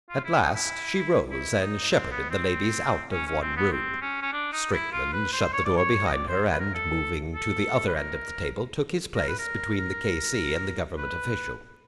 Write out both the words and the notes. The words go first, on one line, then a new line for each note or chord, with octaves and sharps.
At last she rose and shepherded the ladies out of one room. Strickland shut the door behind her, and, moving to the other end of the table, took his place between the K.C. and the Government official.
F4
E4
D#4
E4
E4
D#4
C4
B3
C4
C#4
C#4
C4
B3
C4
C#4
C#4
D4
D#4
E4
F4
B4
C5
C#5
D5
C#5
D#5
D5
C5
B4
A#4
A4
A4
B4
A#4
A#4
B4
A#4
A#4
B4